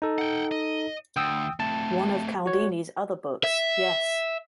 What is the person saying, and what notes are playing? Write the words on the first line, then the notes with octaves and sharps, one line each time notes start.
One of Cialdini's other books, Yes!
D#4 A4
F#5 G5
D#5
D2 G5 D#6 E6
A3 C4 A5
F#4 C#5
E5